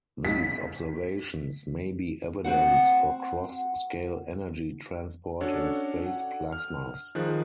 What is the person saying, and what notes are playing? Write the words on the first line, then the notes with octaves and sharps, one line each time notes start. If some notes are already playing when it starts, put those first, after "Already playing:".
These observations may be evidence for cross-scale energy transport in space plasmas.
B6
C4 F#4 F#5
C#4 D4 F#4 A4 C#5
F#5
F6
D#3 F3 G#4 F#6